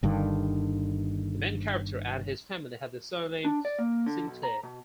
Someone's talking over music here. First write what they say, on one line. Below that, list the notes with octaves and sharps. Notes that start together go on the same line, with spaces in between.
The main character and his family had the surname Sinclair.
G1 G2 D3 D#3
D4
D5
A#3
D3
B1
A#5
B2